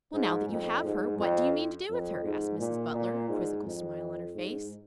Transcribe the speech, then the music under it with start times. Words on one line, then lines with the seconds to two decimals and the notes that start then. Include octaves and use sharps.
"Well, now that you have her, what do you mean to do with her?" asked Mrs. Butler, a quizzical smile on her face.
0.13 G#2
0.49 F2
0.84 G#2
1.19 F2
1.90 F2
2.24 G#2
2.59 A#2
2.95 A#2
3.29 G#2
3.65 F2
4.35 G#2